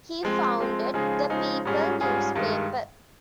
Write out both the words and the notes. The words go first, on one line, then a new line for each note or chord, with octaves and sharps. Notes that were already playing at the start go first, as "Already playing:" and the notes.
He founded "The People" newspaper.
F3 G#3 C4
F3 G#3 C4
C#3 F3 G#3 D#4 G#4
C#3 F3 G#3 D#4 G#4
G#2 G3 C#4 F4 G#4
G#2 G3 C#4 F4 G#4
G2 D#3 G#3